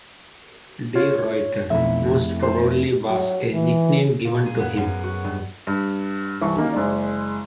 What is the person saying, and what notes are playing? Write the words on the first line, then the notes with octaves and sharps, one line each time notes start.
"De Ruyter" most probably was a nickname given to him.
F4 C#5
B1 F2 A3 E4 E5
C5
F#3
E3
A#2
G#4
B3
F#2
F#4
G2
G2
C2 E3 C#6
D#3 A#3 C#4 D#4
F#1 G#3 D5